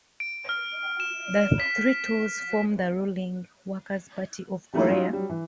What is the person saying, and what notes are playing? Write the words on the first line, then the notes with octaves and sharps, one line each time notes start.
The three tools form of the ruling Workers' Party of Korea.
D7
F6
E7
B6
E3 G3 A3 A#3 D#4 E4
F#3 G3 C#4 D#4 F4
F#3 G3
E3